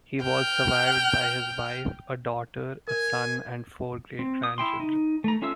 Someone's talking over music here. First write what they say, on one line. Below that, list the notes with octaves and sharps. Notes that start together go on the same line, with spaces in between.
He was survived by his wife, a daughter, a son and four great-grandchildren.
G5 F6
A#4 G#5
C4
D#6
E4 G5 C6
D#4
A3 A#5
C#4 F4 A4 E5 E6